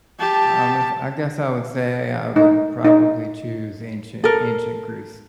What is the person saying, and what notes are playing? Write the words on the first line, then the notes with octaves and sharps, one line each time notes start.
Um, if I guess I would say I would probably choose ancient ancient Greece.
G4 A5
D#4
D#4
A4 A#4